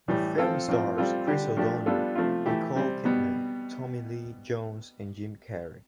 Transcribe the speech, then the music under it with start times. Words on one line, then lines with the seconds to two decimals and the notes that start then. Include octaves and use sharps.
The film stars Chris O'Donnell, Nicole Kidman, Tommy Lee Jones and Jim Carrey.
0.08 A2 E3 G3
0.38 F3 C4 F4 A4
0.68 A2 F3 C4 F4
0.97 G3 C4 F4 A4
1.27 D3 G3 D4 G4
1.57 F3 A3 D4 G4
1.86 G3 B3 D4 F4 A4
2.15 C3 F3 A3 C4 F4
2.46 E3 A3 E4 G4
2.75 C3 G3 C4
3.05 B2 G3 B3